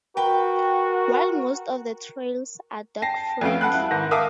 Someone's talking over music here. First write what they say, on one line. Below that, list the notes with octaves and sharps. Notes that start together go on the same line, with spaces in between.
While most of the trails are dog-friendly.
F#4 A#4 B4 G5
G5 A5 A#6 C7
F2 A3 B3 C#4 F5 D7
F#5 A5 B5 F#6
E4
G#2 D#3 E4 B4 A#6
A#4 E5 F5 A5 D6 D#6